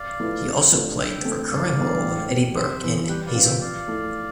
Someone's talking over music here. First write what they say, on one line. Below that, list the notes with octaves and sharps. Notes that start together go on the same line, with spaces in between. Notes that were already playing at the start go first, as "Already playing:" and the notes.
He also played the recurring role of Eddy Burke in "Hazel".
Already playing: D5 F5
F3 A3 E4 B4
C3
F3 A3 D4
D3 E5 G5
A3 C4
G2 D5 F5
E3 B3 D4
A2
G3 C4
C3 C5 E5
E3 B3
G3 G4 B4
D5 F5
C4 F4 B4
E5 G5
F3 D5 F5
A3 E4